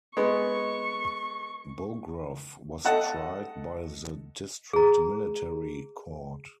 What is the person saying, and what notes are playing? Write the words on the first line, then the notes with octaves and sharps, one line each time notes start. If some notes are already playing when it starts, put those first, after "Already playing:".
Bogrov was tried by the district military court.
G#3 B3 C#6
A4 D#5 F#5 A5
G#4 A#5